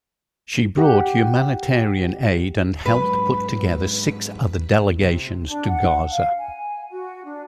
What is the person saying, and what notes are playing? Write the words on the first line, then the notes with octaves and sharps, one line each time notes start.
She brought humanitarian aid and helped put together six other delegations to Gaza.
G4 F#5
G#2 F#3 G#3 B4
C3
D4
F#5
F5
G#5
F#4
D4